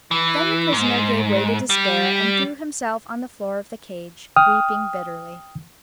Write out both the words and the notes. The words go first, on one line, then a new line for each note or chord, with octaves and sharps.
Then the prisoner gave way to despair, and threw himself on the floor of the cage, weeping bitterly.
E3
G#2
G3
G5 D#6 F6